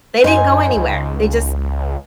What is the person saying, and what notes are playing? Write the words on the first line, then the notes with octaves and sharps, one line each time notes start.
they didn't go anywhere, they just
F#2 D#4 C5 G#5
C#2